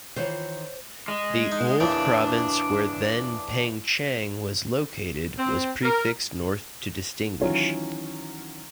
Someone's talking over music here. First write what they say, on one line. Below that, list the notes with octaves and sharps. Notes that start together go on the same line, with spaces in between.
The old province where then Pengcheng was located was prefixed "North" to distinguish.
D#3 E3 F4 C5 C#5
G#3
D#4
E2 A#2 C#3 D4
C4
A#4
D#3 E3 F#3 C#4 F4